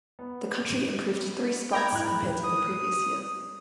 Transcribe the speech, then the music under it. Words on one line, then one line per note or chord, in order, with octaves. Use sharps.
The country improved three spots compared to the previous year.
B3
G5 A#5 B5 G#6
G#2 E4 F#6
D#6